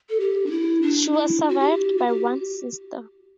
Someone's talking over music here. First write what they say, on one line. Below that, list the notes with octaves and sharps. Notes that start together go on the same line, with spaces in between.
She was survived by one sister.
A4
G4
D4
E4
D4
E4
F#4
G4
F#4
G4